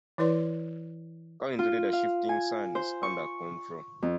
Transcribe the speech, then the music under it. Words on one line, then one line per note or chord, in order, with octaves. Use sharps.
Currently, the shifting sand is under control.
E3 E4 B4 D5 C6
F4
F5
G#5
C5
C#6
F2